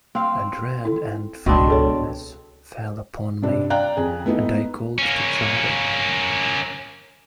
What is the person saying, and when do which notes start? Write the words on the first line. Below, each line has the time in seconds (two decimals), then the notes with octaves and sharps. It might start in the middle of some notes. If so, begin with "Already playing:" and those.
A dread and faintness fell upon me, and I called to Charley.
0.15 A#3 C4 F5
0.85 E4 A4
1.46 C#2 B2 G#3 C4 D4
1.68 G#4 A4 C#5
3.43 G2 C3 D4
3.70 D5 F5 G5 A#5 F#6
3.97 F2 G#4
4.26 A3 B3 D#4 E4
4.98 A#3 C#4